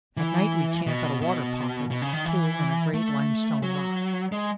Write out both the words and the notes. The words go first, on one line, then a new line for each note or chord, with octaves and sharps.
At night we camp at a water pocket, a pool in a great limestone rock.
E3
B2
B2
B2
C#3
D#3
E3
A3
F#3
G#3